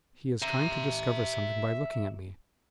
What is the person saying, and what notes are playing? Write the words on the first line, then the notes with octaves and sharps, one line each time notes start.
He is trying to discover something by looking at me!
E5 A#5